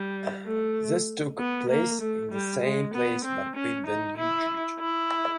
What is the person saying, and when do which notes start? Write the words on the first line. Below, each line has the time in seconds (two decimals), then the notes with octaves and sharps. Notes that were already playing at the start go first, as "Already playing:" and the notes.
This took place in the same place but with a new judge.
Already playing: G3
0.46 A3
1.39 B3
1.69 A#3
2.01 A3
2.32 G3
2.63 G#3
2.94 B3
3.25 C4
3.56 C#4
3.87 D#4
4.17 E4
4.79 E4